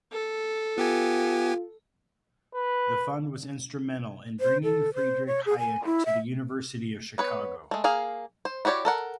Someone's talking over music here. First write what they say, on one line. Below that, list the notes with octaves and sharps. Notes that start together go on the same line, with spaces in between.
The Fund was instrumental in bringing Friedrich Hayek to the University of Chicago.
A4
B3 F4 G4 G#5
B4
C5
A4
C5
C#5
G#4
G#5
E4
E5
B3 B4 C#5
G#3 A3
A#3 G#4 F5
C5
E4 F#4 G4 C#5 D5
A4 A#4 F#5